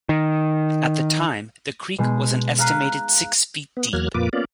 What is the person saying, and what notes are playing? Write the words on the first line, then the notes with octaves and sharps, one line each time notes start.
At the time, the creek was an estimated six feet deep.
D#3
B2 G#3 D#4
F5 A#5 F#6 B6 C7 D#7
B3
E2 F#3 A#3 F6 F#6 G#6
F2 A#2 A#3 F4 B4 D6
A#3 B3 C#4 F4 D5